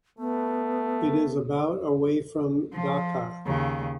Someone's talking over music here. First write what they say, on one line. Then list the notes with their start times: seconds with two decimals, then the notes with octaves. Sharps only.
It is about away from Dhaka.
0.19 A3 B3
2.73 F3
3.46 D#2 C#3